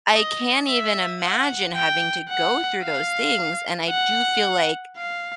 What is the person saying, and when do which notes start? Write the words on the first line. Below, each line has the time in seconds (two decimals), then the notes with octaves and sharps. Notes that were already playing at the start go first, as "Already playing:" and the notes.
I can't even imagine having to go through those things, and I do feel like
0.14 D#5
0.67 E5
1.22 F#5
1.75 G5
2.29 F#5
2.83 F5
3.90 F#5
4.97 F5